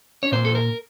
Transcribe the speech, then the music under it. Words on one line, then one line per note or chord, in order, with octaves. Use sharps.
No, yeah.
C#5
A#2 C5
A4
A#4